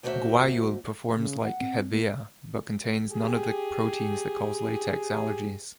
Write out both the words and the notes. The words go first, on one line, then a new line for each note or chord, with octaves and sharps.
Guayule performs like "Hevea" but contains none of the proteins that cause latex allergies.
D#2 A3 A#3 F#4 C5 E5
C#3
F#5
C4
A#3
G4 G#4